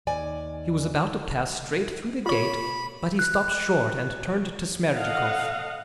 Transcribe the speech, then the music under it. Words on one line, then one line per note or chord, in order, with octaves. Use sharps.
He was about to pass straight through the gate, but he stopped short and turned to Smerdyakov.
D#2 D5 G#5
F4 C#5 B5
F#6
A4 D#5 F5 F#5